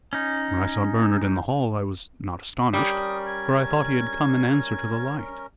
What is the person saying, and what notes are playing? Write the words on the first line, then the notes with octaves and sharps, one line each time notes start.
When I saw Bernard in the hall I was not astonished, for I thought he had come in answer to the light.
C#4 D#4
G3 C#4 A#4 D#6
G#6